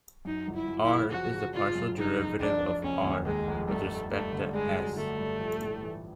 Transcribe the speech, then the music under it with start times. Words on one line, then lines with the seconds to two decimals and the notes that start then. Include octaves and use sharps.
"R" is the partial derivative of "R" with respect to "s".
0.25 F#2 D#4
0.48 G1
0.55 E4
0.68 F#2
0.83 E4
0.89 C#3
1.11 F3 F#4
1.32 C#3
1.54 C#3 F4
1.75 F#2
1.97 C#3 D#4
2.18 F1
2.39 F1 D4
2.61 F1
2.83 F1 C#4
3.04 D#2
3.25 D#2 G#3
3.47 F1
3.68 G2 A3
3.90 G2
4.11 G2 A3
4.33 D3
4.54 G2 G#3
4.76 F#3
4.96 D3 A3
5.19 G2
5.40 A#1
5.62 A2
5.82 E3